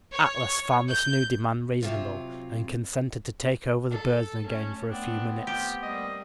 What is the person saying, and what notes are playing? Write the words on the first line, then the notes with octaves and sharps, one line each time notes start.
Atlas found this new demand reasonable, and consented to take over the burden again for a few minutes.
C#5
G6
C3 F#3 F4
A4 A5
A3 C#4
A3 B3 C4 D4
F3 G4
G3 A#3 D#5